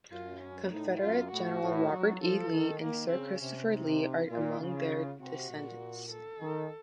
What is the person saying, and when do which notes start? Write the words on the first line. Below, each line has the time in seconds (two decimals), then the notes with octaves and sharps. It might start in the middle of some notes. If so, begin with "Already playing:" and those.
Confederate General Robert E. Lee and Sir Christopher Lee are amongst their descendants.
0.12 F#2 F4
0.43 C#4
0.72 A2 D#4
1.02 F#2 F4
1.32 A2 F#4
1.62 A2
1.91 F#3
2.21 F3 A4
2.51 D#3
2.81 D#3 A#3
3.11 C#3 C4
3.41 C3 C#4
3.71 D#4
4.30 A#2 F4
4.60 C#3
5.20 C3 F#4
5.51 A#2
6.10 A4
6.40 D#3